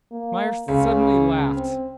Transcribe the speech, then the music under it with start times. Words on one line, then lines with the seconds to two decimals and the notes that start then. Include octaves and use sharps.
Myerst suddenly laughed.
0.11 A#3
0.68 C#2 C#3
1.55 C4